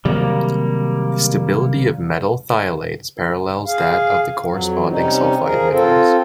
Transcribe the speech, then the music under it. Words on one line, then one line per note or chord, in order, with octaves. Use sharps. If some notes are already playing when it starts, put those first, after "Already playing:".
The stability of metal thiolates parallels that of the corresponding sulfide minerals.
C3 D#3 F#3 G3 A#3
G#4 F5
F2 F#3
C3 G3 C#4 D#4
F3 G#4 A#4
C4 F4 A4